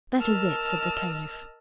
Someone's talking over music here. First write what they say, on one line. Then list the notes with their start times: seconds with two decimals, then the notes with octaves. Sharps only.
"That is it," said the Caliph.
0.20 A#4 D#5 A5 E6 F6